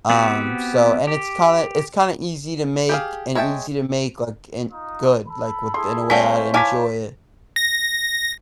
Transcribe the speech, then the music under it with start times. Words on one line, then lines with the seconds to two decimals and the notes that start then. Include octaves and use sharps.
Um, so, and it's kinda it's kinda easy to make and easy to make, like, and good, like, within in a way I'd enjoy it.
0.10 B3 C4 F#4 G4
1.07 G4
2.89 G4 G#4 F5
3.35 G#3 C#5 E5 G5 A5
4.71 D#4 F4 D#6
5.27 A4 B5
5.74 E4 G#4 A4 C6
6.10 G#3 A3 C4 C5 C#5 E5 F5 B6
6.54 E4 F5 G#5 A5 D6 B6
7.56 A#6